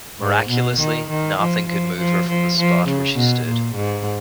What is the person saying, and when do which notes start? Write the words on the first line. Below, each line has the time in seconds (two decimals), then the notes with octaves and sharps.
Miraculously, nothing could move her from the spot where she stood.
0.20 G#2
0.49 B2
0.79 D#3
1.09 D#3
1.39 F3
1.67 F3
1.98 F3
2.28 F3
2.57 F3
2.87 C#3
3.16 B2
3.45 A#2
3.75 G#2